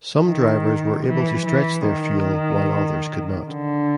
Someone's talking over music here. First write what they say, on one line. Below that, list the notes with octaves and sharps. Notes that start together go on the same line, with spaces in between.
Some drivers were able to stretch their fuel while others could not.
D#3
E3
E3
D#3
D3